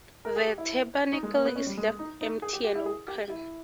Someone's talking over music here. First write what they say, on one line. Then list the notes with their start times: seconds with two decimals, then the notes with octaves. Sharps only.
The tabernacle is left empty and open.
0.25 A#4
0.36 G#4
0.47 G4
0.58 E4
1.12 D#4
1.23 G#3
1.33 A#3
1.45 B3
1.56 C#4
1.67 G3
1.77 G#3
1.88 G#3
1.99 D#4
2.21 D#4
2.42 G#4
2.53 G4
2.64 G4
2.75 E4
2.86 G#4
3.08 G4
3.30 E4